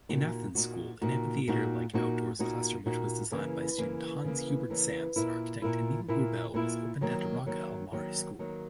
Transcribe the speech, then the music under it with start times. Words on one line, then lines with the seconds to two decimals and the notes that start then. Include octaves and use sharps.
An Athens school, an amphitheater-like outdoors classroom which was designed by student Hans Hubert Sams and architect Emil Urbel, was opened at Rocca al Mare school.
0.09 A#2 A#3 D#4 F#4
0.55 A#2 A#3 D#4 F#4
1.02 A#2 A#3 D#4 F#4
1.48 A#2 A#3 D#4 F#4
1.93 A#2 A#3 D#4 F#4
2.39 A#2 A#3 D#4 F#4
2.86 A#2 A#3 D#4 F#4
3.32 C#3 E3 A#3
3.78 C#3 E3 A#3
4.24 C#3 E3 A#3
4.70 C#3 E3 A#3
5.16 A#2 A#3 E4
5.62 A#2 A#3 E4
6.08 A#2 A#3 E4
6.54 A#2 A#3 E4
7.01 D#3 F#3 A#3
7.46 D#3 F#3 A#3
7.92 D#3 F#3 A#3
8.39 D#3 F#3 A#3